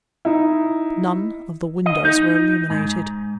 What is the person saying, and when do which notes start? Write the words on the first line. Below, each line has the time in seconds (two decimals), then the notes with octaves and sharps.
None of the windows were illuminated.
0.25 D#4 E4
1.86 D#5
2.05 D#4
2.70 G#2